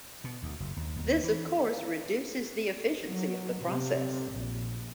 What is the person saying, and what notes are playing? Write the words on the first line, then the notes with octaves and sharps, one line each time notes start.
This, of course, reduces the efficiency of the process.
B2
D2
F#1
D#2
D#2
E3
F#3
C3
A#1